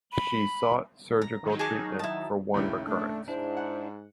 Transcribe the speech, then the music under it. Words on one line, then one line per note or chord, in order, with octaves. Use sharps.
She sought surgical treatment for one recurrence.
B5
A#5
D#3 F#3 D#4
G#4 A5 D6
E4 A5
D#2 A2 C#3 E4
A3 D4
G#2 D4 E4 C5
F#5